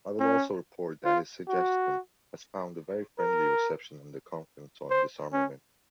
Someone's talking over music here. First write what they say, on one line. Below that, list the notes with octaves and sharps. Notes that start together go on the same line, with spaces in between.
I will also report that his suggestion has found a very friendly reception in the Conference on Disarmament.
C#4
F4
F#4
A#4
C5
C#4